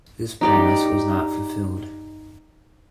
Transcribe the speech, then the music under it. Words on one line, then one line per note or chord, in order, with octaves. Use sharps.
This promise was not fulfilled.
D#4 G4 D5